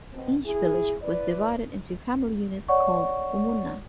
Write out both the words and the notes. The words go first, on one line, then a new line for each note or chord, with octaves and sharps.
Each village was divided into family units called 'umunna'.
B2 C4
E4 G#4
E4 B4 D5
C#5 D5 F#5 C#6